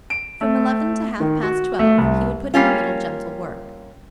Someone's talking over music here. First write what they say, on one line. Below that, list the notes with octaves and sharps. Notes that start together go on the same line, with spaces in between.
From eleven to half past twelve he would put in a little gentle work.
D7
A3
D#3
F#4
A3
C2
G3 A#3 C#4 F4